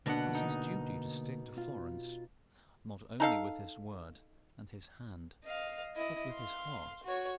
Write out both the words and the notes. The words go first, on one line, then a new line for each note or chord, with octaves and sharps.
It was his duty to stick to Florence, not only with his word and his hand, but with his heart.
B2 D3 A3 A#3 D4 F#5
D#4
F4
D#4 A4 F5
D#5 F5
E4 D#5
F5 C6
F#4 C#5